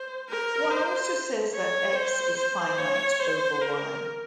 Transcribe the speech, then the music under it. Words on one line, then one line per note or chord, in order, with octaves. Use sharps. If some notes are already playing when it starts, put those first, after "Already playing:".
One also says that "X" is finite over "Y".
Already playing: C5
A#4
C5
C#5
C5
C5
C#5
C5
A#4